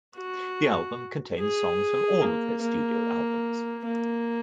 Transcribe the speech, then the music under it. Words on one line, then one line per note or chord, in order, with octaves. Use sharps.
The album contains songs from all of their studio albums.
F#4
G#4
A#3
A#3
A#3